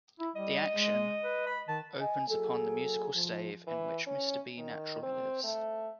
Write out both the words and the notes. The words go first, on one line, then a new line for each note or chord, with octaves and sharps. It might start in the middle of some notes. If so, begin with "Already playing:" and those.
The action opens upon the musical stave in which Mr. B Natural lives.
E4
G3 D#5
G#3
B4
B5
D#3 A5
D#5 G#5
F#3 A#3 G#4 A4
F3
E3
C#4
D#3
C4
A3